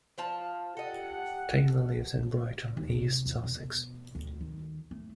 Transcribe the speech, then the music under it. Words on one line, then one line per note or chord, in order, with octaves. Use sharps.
Taylor lives in Brighton, East Sussex.
F3 F4 A5
G4 A4 D#5 F#5
D#2
C3
E2
B2
D2
D#3
A3